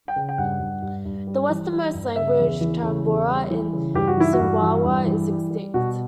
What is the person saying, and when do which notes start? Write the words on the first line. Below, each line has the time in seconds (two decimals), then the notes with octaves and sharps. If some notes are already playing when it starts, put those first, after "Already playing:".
The westernmost language, Tambora in Sumbawa, is extinct.
0.08 G5
0.16 C#3
0.29 G5
0.38 G2 F#5
0.60 G2
0.82 G2
1.05 G2
1.27 G3
1.49 E3
1.72 G3
1.94 G2
2.16 C#3 E5
2.39 E2
2.61 E3
2.83 C#3
3.06 E2
3.28 G3
3.50 E3
3.73 C#3
3.94 G2 G4
4.07 F#4
4.17 E3 E4
4.33 F#4
4.39 G2
4.62 E3
4.84 G2
5.06 E3
5.29 G3
5.50 G3
5.74 B2 F#4